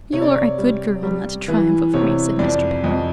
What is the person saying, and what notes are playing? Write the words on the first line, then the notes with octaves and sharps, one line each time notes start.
'You are a good girl not to triumph over me,' said Mr. Bell.
C3 C#5
D5
C#5
G3
G3
E3
C3 C#5
F2 D5
F2 D#5